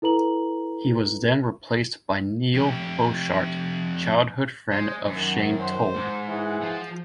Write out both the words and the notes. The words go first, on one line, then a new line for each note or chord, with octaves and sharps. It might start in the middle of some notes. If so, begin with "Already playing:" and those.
He was then replaced by Neil Boshart, childhood friend of Shane Told.
E4 A4 B4 A#5 F#7
F2 G4
G#3 C5
F#2 D#3
C5
G#2
E3 G#4 C5 F#5
F3